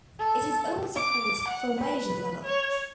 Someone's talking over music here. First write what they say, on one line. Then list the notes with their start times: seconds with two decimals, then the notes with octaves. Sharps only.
It is also called formation level.
0.19 A4
0.96 D6
1.49 F#5
1.81 B4
2.44 C#5